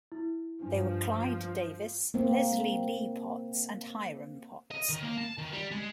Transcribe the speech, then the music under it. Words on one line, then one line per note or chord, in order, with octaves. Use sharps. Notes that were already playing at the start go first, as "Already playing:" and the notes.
They were Clyde Davis, Leslie Lee Potts, and Hiram Potts.
E4
G2 F3 D4
A#3 C4
D#5
D#3
A#3
A5
D#3
G3
G#3